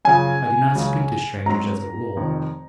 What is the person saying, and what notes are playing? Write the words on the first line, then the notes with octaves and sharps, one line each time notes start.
I do not speak to strangers as a rule.
F#2 C#3 F3 G#5
C#2 C#3 F#3
G#2 F#3 C4 A#5
F1 F2 D#3